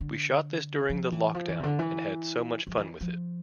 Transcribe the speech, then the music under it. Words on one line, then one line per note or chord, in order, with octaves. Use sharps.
We shot this during the lockdown and had so much fun with it.
D3
F3
E3
F3
E3
C3
D3
E3
F3
E3
F3